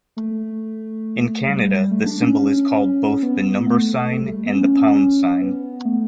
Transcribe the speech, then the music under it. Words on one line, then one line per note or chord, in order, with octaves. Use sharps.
In Canada the symbol is called both the "number sign" and the "pound sign".
A3
G3
A3
D4
C#4
B3
A3
A3
G3
A3
B3
C#4
B3
A3